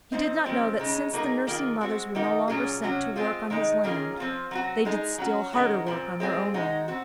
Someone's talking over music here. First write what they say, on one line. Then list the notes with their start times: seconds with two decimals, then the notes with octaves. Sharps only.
He did not know that since the nursing mothers were no longer sent to work on his land, they did still harder work on their own land.
0.12 F3 C4 D#4
0.45 C#3 F3 G#3 C4
0.79 C#3 G#3 D#4
1.13 F#3 A#3 D#4 G#4
1.47 D#3 A#3 F4 G#4
1.81 G#3 C4 F#4
2.15 D#3 A#3 D#4 F#4
2.48 A#2 F#3 C#4 G#4
2.82 C3 F#3 C#4 F#4
3.16 G#3 C4 F4 G#4
3.50 D#3 G#3 D#4
3.84 D#3 A#3 C#4 F4 G#4
4.17 F3 C4 F4
4.51 F#3 C4 F#4
4.85 G#3 D#4 G#4
5.18 F#3 C#4 F#4
5.53 D#3 G#3 C#4 F#4
5.86 A#2 F3 C4
6.20 G#3 C4 F4 G#4
6.54 G#3 D#4 F#4
6.88 C4 F#4